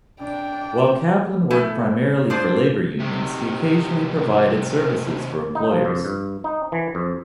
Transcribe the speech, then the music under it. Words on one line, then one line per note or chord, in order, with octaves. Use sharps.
While Kaplan worked primarily for labor unions, he occasionally provided services for employers.
D4 G5
A3 E4 A4 G#5
D4 F4 G#4 C5 D5
C3 D#3
D#4
F3
F2
G2
D#4
E3
F2